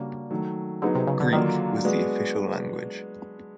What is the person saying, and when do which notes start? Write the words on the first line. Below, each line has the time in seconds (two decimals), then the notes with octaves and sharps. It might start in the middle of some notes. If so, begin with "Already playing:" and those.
Greek was the official language.
Already playing: C#3 G3 A#3 D4 F#4
0.31 D#3 F#3 A3
0.82 D3 F#3 B3 D#4 G#4
0.95 C3
1.07 C#3
1.20 D3
1.33 D3 D#3 F#3 A#3 D4 F4
1.84 G#3 B3 D4 F#4